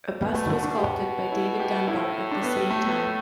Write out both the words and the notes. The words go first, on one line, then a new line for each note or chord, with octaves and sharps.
A bust was sculpted by David Dunbar at the same time.
B2 B3
A3
A3
D4
G4
E4
G4
A2 E4
D4
B3
G3
A3
B3
A3